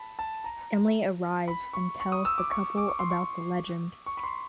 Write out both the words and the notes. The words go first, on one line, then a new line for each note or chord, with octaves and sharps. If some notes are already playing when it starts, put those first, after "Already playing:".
Emily arrives and tells the couple about the legend.
Already playing: A5 B5
A5
A#5
B5
C#6
C#6
D#6
E6
D6
C#6
D6
C#6
C6
C#6
C#6
B5
C6